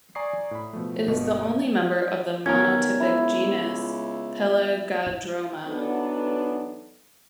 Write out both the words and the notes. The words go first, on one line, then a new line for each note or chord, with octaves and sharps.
It is the only member of the monotypic genus Pelagodroma.
D5 G#5 A#5 C#6 D#6 C7
A2 B5
B2 F3 A3
G1 B2 A#3 D#5
D#3 B3 C#4 A#4 G#6
C#2 E4
E3 F#3 B3 D4 D#4 A4